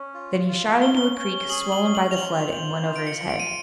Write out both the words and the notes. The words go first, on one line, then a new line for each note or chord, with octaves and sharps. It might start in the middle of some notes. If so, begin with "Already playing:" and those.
Then he shot into a creek, swollen by the flood, and went over his head.
Already playing: C#4
F4
F4
C#4 G7
G7
C#4
G#4 F#7
F#7
C#4
F#7
F7
F4 F#7
C5
F4
D7
C#7
F4
D7
D#7